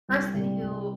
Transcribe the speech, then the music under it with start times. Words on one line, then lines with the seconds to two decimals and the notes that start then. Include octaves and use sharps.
person who
0.09 C2
0.34 C3 G3
0.60 C2